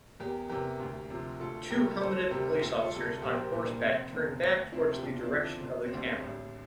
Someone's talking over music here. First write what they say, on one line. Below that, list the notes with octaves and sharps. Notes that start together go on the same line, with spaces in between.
Two helmeted police officers on horseback turn back towards the direction of the camera.
E2 G4 A#4
C3 E3 G4 A#4
D2
C3 F3
D2 F4 A4
C3 G3 G4 A#4
D2 A4 C5
C3 G3 G4 A#4
G4
D2 F4 A4
F4 A4
C3 G3
F4 A4
A#1 G4 A#4
C5
G4 A#4
A#2 G3 G4 A#4
D4
F1 C4
E2 D3
D2 D4
C3 F3 C4 E4
G4
E2 D4 F4
F4
C4 E4
D3 F3
D4
E1
C4
D2 D3 G3 D4
A1